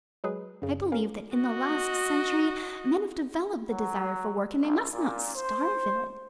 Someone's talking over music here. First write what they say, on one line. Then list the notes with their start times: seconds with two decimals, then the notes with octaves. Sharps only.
I believe that in the last century men have developed the desire for work, and they must not starve it.
0.24 F#3 G#3 G#4 B4
0.62 F#2 C#3
0.92 C#4 A#4 F5
1.37 F#4 D#5
3.69 F#3
4.59 A#1
4.92 A#2
5.35 C5